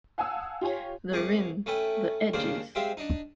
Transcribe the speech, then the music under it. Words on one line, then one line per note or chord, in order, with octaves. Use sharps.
The rim, the edges.
F5 F#5 G#5 A5 D#6 E6
F4 G4 C#5 G#5
C2 G#4 C#6 D6
A3 C#4 B4 G5
D#2 C#3 D4 A#4 C5
G#3 C4 G4 E5 F5 G5
D4 D#4